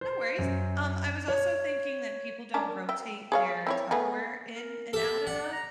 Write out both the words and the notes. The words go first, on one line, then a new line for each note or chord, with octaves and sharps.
No worries. Um, I was also thinking that people don't rotate their Tupperware in and out enough.
C5
F#2
C#5
C#4 D4 A#4
E5 G5
G#4 C#5 F5
C4 E4 C#5
A3 B3 G#4
A#4
G4 A4 E5
D5 F#5
A#5